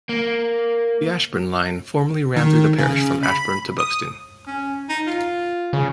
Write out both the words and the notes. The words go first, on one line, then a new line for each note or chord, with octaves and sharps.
The Ashbourne line formerly ran through the parish from Ashbourne to Buxton.
A#3
D#3
C#3
B5
D#6
C#4
D#4
F4
C#3